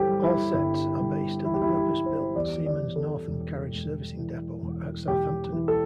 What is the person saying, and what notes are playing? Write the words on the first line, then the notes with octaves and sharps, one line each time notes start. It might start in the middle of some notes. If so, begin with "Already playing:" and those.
All sets are based at the purpose-built Siemens Northam Carriage Servicing Depot at Southampton.
Already playing: G1 G2 E3 G4 A4 C5
G3
E4
G1 E4
G2
E3 E4
G4
E4
G4
G3
C5
E2 D5
D5
E3
A4
E1
E1
E3
E1
E1 G4
E3
A4